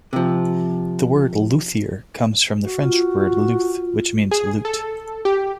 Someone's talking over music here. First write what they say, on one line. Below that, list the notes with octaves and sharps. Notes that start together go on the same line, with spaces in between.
The word "luthier" comes from the French word "luth", which means lute.
C3 F3
F#4
F4
G#4
A4
G4